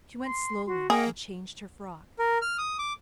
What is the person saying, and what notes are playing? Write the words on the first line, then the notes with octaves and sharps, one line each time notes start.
She went slowly and changed her frock.
C6
F#4 C6
A#3 G#4 D#5 F#5 G5
A#4
F6
D#6
D6